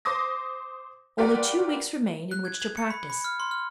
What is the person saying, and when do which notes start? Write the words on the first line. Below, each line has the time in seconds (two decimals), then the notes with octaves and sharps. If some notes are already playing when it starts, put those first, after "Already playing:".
Only two weeks remained in which to practise.
0.05 C5 C6 D6 D#6 A#6
1.18 F4 G4 A#4 B4 D5 F#5
2.31 F#6
2.45 G#6
2.60 G#6
2.77 C#7
2.90 B5
3.10 B5
3.24 F6
3.40 C6
3.51 F6